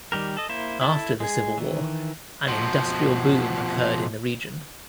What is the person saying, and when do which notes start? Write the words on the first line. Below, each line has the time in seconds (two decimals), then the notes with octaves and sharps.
After the Civil War, an industrial boom occurred in the region.
0.12 D#3 G3 G4 A#4
0.37 A4 D#5
0.49 A#3 E4 C5
0.81 E4 A4 A5
1.20 G#3 G#4
1.58 D#3 E3
2.48 B2 F3